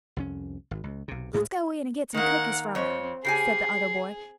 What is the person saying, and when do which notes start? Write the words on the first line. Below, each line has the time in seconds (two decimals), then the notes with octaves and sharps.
"Let's go in and get some cookies from her," said the other boy.
0.17 C2 F2 C#4
0.71 G#1
0.84 C#2
1.08 B1 C3
1.33 D2 A2 G#3 G#4
2.14 D#3 A#3 A#4 F#5
2.75 F2 C4 C#5
3.25 C#3 G4 G#4 G#5 C7